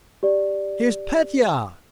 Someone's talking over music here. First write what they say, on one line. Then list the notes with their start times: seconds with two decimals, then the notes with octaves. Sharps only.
Here is Petya!
0.23 G4 D5